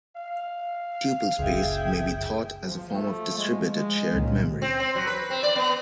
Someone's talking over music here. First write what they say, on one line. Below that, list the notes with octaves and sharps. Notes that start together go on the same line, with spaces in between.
Tuple space may be thought as a form of distributed shared memory.
F5
F#1 C#2 G#4 E5 G5
F3
A3
G#3
G#3
C#2 A#2 D#3
C4
C4
F#3
B4
C4
D5
B3